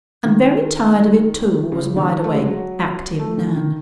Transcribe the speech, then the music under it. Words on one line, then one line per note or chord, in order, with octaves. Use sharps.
And very tired of it, too, was wide-awake, active Nan.
D#3
C#3
D#3
A3
G#3
F#3
A3
D#3
D#3